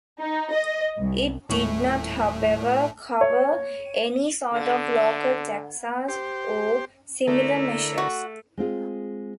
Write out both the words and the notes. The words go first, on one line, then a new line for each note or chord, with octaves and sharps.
It did not however, cover any sort of local taxes or similar measures.
D#4
D#5
C2
D#1 A2 A3 C#6 F#7
C#5
D3
G4 C5
D3 A3 E4 A#4
F#4
G#3 C4 F4 G#4